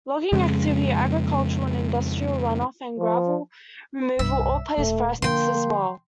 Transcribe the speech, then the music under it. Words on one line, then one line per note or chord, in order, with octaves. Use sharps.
Logging activity, agricultural and industrial runoff, and gravel removal all pose threats as well.
F2 C#3 G#3
F3
C2 G2 E5
D#1 A3 F4
D3 F3 A#3 G5 C6